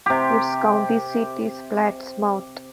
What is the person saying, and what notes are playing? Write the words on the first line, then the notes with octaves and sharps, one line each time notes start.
Its county seat is Plattsmouth.
C3 G4